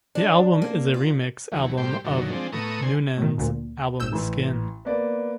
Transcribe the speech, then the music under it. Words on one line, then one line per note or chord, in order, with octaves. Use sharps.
The album is a remix album of Noonan's album "Skin".
D4
A#3
F4
D#2 E3 F#3
A2 G3 G4 C5
F#2 A#2 D3 D#3 F#3
F3 G#3 C4 D4
A2 A3 B3 A#5 C#6 D#6
D3 C5 G#5
A2 D#3
D2 A#2
G#1 E6 G6
A1
A#3 B3 D5